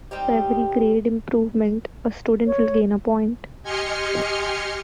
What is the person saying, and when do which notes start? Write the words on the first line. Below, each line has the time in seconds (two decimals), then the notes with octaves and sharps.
For every grade improvement a student will gain a point.
0.11 G3 C4 D#4 G4
2.47 C#5
3.63 G4 D#5 G#5 C6 F6 C#7